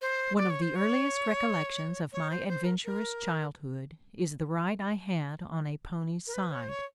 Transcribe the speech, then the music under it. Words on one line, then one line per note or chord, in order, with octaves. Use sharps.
One of the earliest recollections of my adventurous childhood is the ride I had on a pony's side.
C5
D5
C#5
C5
C#5
C#5
C5
C5
A#4
A#4
A#4
B4
C#5
C5
C#5